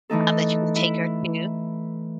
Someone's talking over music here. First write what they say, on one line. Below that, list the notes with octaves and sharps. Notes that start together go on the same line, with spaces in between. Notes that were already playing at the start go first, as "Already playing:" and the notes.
uh, that you can take her to
E3 A3 D#4 A4
E4